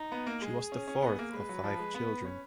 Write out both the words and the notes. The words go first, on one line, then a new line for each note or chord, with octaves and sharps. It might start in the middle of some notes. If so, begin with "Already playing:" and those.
She was the fourth of five children.
Already playing: D#4
B3
A#3
G#3 G#4
C#4
C#4
B3
A#3
G#3 B4
F#3
F3
G#3
B3
C#4